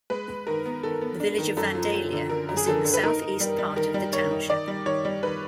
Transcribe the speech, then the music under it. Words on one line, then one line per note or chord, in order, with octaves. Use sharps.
The village of Vandalia is in the southeast part of the township.
G#3 B4
G#3
D#3 A#4
B3
D#3 A4
B3
D4
D#3
F#2 A4
F3
F3
D3
D3 A#4
F#2
G#4
D3 A4
D3
B4
D#4 A#4
D#4
G3
G3
D#3 A#4
G3
D#3 C#5
D#4
D#3 D5
G3
D#3 C#5
G3
D#3 B4